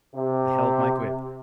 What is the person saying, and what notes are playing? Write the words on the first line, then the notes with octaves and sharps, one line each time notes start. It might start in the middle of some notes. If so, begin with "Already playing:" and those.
I held my grip.
C3